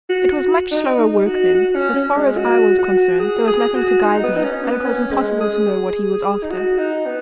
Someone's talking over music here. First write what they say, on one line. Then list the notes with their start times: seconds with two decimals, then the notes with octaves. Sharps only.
It was much slower work then; as far as I was concerned, there was nothing to guide me, and it was impossible to know what he was after.
0.10 F#4
0.31 F#4
0.72 D#4
1.00 D#4
1.27 F#4
1.55 F#4
1.75 C#4
1.96 C#4
2.17 G#3
2.37 F#4
2.79 F#4
3.20 G#4
3.48 G#4
3.75 F#4
4.03 D#4
4.24 B3
4.37 D#4
4.44 C#4
4.65 B3
4.85 C#4
5.13 G#3
5.41 G#4
6.43 D#4
6.51 F#4
6.79 D#4
7.06 B3